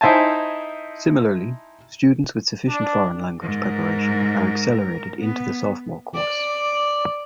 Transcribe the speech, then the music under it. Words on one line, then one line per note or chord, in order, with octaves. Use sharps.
Similarly, students with sufficient foreign language preparation are accelerated into the sophomore course.
D#4 E4 C5 E5 G#5 A5
D4
G#2 A#4
B3
D5